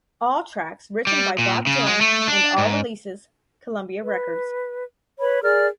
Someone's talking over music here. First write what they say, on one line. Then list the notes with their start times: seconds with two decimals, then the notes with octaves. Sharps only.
All tracks written by Bob Dylan and all releases Columbia Records.
1.07 G3
1.39 A#2
1.67 C#3
1.86 G#3
2.01 A3
2.27 D4
2.58 G#2
4.03 B4
5.19 B4 C#5 B5
5.43 G#4 A#4 D5 F6